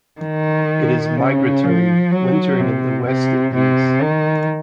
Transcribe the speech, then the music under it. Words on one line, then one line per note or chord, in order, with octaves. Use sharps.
It is migratory, wintering in the West Indies.
D#3
C#3
F3
F#3
C3
C3
C3
D#3